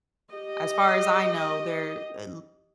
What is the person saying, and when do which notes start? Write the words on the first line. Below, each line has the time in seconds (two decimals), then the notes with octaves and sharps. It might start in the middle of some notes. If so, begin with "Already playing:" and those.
as far as I know, there, uh,
0.31 G4 D#5